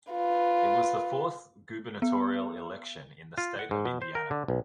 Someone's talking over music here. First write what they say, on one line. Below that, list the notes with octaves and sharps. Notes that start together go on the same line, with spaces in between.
It was the fourth gubernatorial election in the State of Indiana.
F4 B4
B3
F4
F#5
G#2
B2
C5
A#4
D3
B1